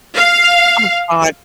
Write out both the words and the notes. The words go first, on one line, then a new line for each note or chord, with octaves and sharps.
Oh god,
F5